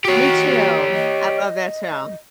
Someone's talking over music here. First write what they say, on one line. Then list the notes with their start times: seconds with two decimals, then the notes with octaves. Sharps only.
Me too, I love that too.
0.05 F#4 G4 C#5
0.94 D#5